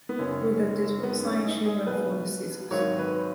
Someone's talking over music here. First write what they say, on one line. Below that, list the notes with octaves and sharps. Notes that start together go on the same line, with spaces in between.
With a dismal sigh she went for the scissors.
B3
F#1 F#2 D#3 C#4
F#2 D#3 G#3 B3
C#4
D#4
G#4
B1 B2 G#3 B4
G#1 G#2 D#3 F#3 C#5
B4